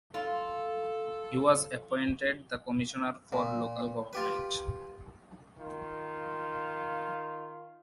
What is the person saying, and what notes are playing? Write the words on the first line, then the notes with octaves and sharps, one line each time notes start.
He was appointed the Commissioner for Local Government.
F4 A4
A#2
F4 G4 B4
D#3 F4